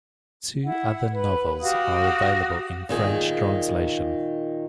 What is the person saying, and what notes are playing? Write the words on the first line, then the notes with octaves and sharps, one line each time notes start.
Two other novels are available in French translation.
E4 F#5
B4
F#4 G4 F5 D#6
A#2 D#3 G#4